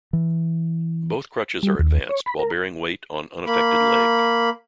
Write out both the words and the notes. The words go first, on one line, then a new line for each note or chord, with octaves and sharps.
Both crutches are advanced while bearing weight on unaffected leg.
E3
G3
D#2
C#5
B5
A#4
A#3 B5